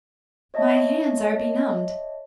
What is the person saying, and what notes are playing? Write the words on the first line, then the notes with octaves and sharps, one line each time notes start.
"My hands are benumbed."
C#5 D#5 E5 A5